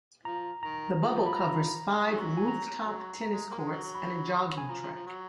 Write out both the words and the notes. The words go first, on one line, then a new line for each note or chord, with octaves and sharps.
The Bubble covers five roof-top tennis courts and a jogging track.
F3 A#5
D#3 A#5
F3
B5
A#5
D#3 F#3
G#5
A#5
F#3
A#5
G#3
A#3
G#3
F#3
F#3
B5
G#5
F3 A#5
F3
F3
F#3